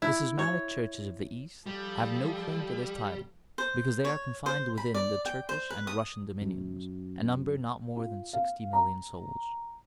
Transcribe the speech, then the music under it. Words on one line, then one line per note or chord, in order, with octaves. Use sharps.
The Schismatic churches of the East have no claim to this title because they are confined within the Turkish and Russian dominions, and number not more than sixty million souls.
E4
C#5
F3 G3 A4
C5
C#5
C5
B5
D5
G5
C5
B4
D#6
F#2
F4
F5
A#5